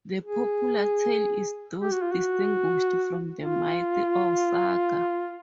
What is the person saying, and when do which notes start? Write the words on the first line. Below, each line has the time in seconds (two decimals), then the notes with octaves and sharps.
The popular tale is thus distinguished from the myth or saga.
0.24 G#4
1.82 G4
1.92 F#4
2.02 F4
2.12 F#4
3.40 F4